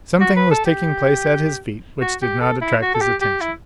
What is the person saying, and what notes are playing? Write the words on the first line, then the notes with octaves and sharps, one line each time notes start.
Something was taking place at his feet which did not attract his attention.
F#4
B4
A4
G4
F#4
G4
A4
E4
F#4
A4
G4
G4
E4